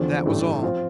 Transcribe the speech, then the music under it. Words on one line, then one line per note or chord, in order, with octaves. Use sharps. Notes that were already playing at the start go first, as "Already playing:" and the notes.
That was all.
Already playing: E2 D3 F3 C4
A1 G2 E3 A3
F3 C4 F4